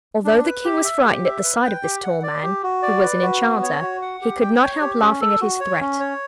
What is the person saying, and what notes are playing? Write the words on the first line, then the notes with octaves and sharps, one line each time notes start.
Although the King was frightened at the sight of this tall man, who was an enchanter, he could not help laughing at his threat.
D4
B4
G4
E5
G4
E5
B4
G5
G4
F#5
D5
G4
F#4
D5
B4
F#4
B3
C#5
F#4
F#5
G4
G5
C#5
G4
C#4
A4
F#4
C#5
C#4
C#5